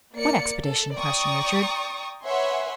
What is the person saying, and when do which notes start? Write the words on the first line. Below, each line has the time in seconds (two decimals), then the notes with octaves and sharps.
"What expedition?" questioned Richard.
0.14 A#3 D5 C#7
0.65 A4
0.96 D5 G5 A#5 C#6 D#6
2.25 B4 C#5 E5 F#5 G#5 C6